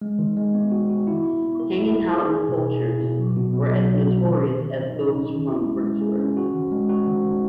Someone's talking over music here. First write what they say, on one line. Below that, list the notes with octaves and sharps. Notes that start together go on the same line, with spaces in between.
Hanging Houghton's poachers were as notorious as those from Brixworth.
G#3
D#3
G#3
B3
F#4
F#4
E4
E4
B3
A#4
E4
A#4
G#4
G#4
B2
G#4
E4
B2
F#3
B2
B2
F#3
F#3
B2
D#3
D#3
D#3
D#3
D#3
C#4
C#4
E4
G#3
G#3
G#4
C#4
F#4
D#3
G#3
F#4
D#3
D#3